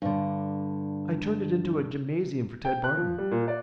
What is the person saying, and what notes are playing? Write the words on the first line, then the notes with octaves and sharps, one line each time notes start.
I turned it into a gymnasium for Ted Barton.
G2 D3
G5
F#6
F3
G3
A#2
D5